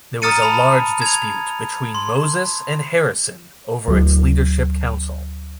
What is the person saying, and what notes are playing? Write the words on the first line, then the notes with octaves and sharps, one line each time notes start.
There was a large dispute between Moses and Harrison over its leadership council.
A#5 D#6 F6 A6 C#7 D#7
A5 B5 F7
G#6 F7
C6
D2 F#3